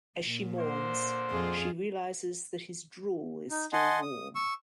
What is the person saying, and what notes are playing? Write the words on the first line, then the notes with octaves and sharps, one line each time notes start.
As she mourns, she realizes that his drool is still warm.
A#2
D3 A#3 C5
F2 F4 G#4
D#4
D#5 F#5 G#5 A5 C6
D#6
C#6 E6